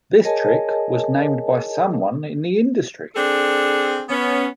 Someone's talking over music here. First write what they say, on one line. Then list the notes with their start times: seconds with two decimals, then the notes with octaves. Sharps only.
This trick was named by someone in the industry.
0.24 G#4 A#4 C#5 D#5 G#5 A5
3.16 C4 D4 G#4 A4
4.09 B3 C#4